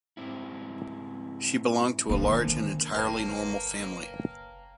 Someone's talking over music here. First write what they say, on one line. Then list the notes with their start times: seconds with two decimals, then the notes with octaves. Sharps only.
She belonged to a large and entirely normal family.
0.17 G#2 C4 E4
2.09 D3 D#3 A#3 C5
2.95 F#1 B1 B4 C#5 F5 G5 A5 A#5